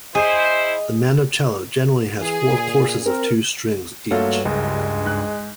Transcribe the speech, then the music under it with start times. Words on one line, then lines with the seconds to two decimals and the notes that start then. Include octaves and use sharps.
The mandocello generally has four courses of two strings each.
0.15 E4 G#4 C5 D#5
2.19 E3 G#4
2.49 A#2
3.06 C4 A#4
4.11 G2 F#3 A3 A#3 F4 A4
4.45 F#1 C#2 G#3
5.05 G#2 F#6